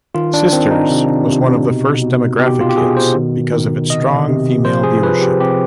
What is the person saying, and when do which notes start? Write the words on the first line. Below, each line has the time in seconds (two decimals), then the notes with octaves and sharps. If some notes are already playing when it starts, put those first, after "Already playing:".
"Sisters" was one of the first 'demographic' hits because of its strong female viewership.
0.15 D#3 F4
0.34 D4
0.52 D#3 C4
0.71 D#4
0.90 C3
1.28 C3
1.65 B2
2.02 B2
2.39 B2 G4
2.61 F4
2.69 G4
2.77 B2 G#4
2.97 C5
3.15 D#3
3.52 D#3
3.90 C3 D#5
4.28 C3
4.65 F3 C5
4.83 G#4
5.03 F3 B4
5.22 G4
5.40 C3 G4